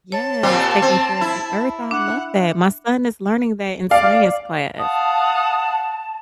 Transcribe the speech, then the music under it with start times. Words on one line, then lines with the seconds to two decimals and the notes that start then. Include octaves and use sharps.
Yes, taking care of the earth, I love that, my son is learning that in science class.
0.12 C#5 A5
0.43 A#2 C4 G4
0.82 C4
1.21 E4
1.91 D4 F#5
3.91 D5 F5
4.79 F5 F#5 A5 D#6